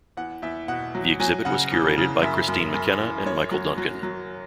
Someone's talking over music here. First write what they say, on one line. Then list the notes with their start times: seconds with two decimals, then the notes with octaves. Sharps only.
The exhibit was curated by Kristine McKenna and Michael Duncan.
0.17 E2 F#5
0.42 E2 E5
0.68 B2 F#5
0.95 F#3
1.20 F#3 G#5
1.45 C#3 F#5
1.72 E2
1.98 C#3
2.22 F#2 E5
2.48 F#2
2.74 F#2
3.00 E3
3.26 F#2 C#5
3.51 F#3
3.78 F#3
4.03 F#3